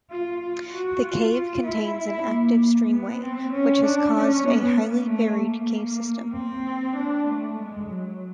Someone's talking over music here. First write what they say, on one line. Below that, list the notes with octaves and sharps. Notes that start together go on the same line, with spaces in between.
The cave contains an active streamway, which has caused a highly varied cave system.
F4
F4
F#4
F4
E4
E4
A#3
B3
C4
C#4
D4
C#4
B3
A#3
A3
A#3
C4
D4
A3
G#3
F#3